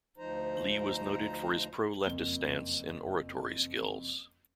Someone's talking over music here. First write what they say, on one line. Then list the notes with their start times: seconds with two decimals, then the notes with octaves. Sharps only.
Lee was noted for his pro-leftist stance and oratory skills.
0.18 D2 F3 D#4 C5 A#5
2.06 F#1 F2 G7